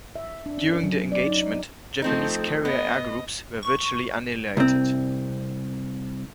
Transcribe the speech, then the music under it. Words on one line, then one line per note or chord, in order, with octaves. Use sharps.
During the engagement, Japanese carrier air groups were virtually annihilated.
E5
D4
C#4
A#4
F#3
D5
D#4
F3 A3 C4 D#4
B3 D#5
C#6
C2 C4